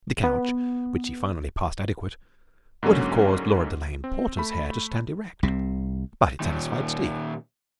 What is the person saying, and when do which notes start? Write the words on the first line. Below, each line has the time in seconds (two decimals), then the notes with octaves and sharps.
The couch which he finally passed adequate would have caused Lora Delane Porter's hair to stand erect, but it satisfied Steve.
0.24 B3
2.83 G#2 D3 F#3 A#3 C#4
4.04 C4
4.37 A3 B5
5.43 C2 C3
6.40 A#2 D#3